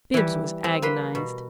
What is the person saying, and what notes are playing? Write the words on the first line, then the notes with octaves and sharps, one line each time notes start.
Bibbs was agonized.
E3 G3
C4
A#3 B4 B5 C6
B2